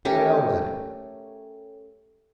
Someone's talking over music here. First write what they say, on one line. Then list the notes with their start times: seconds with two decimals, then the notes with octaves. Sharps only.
"Well, let him."
0.05 A3 C#4 G4 A#4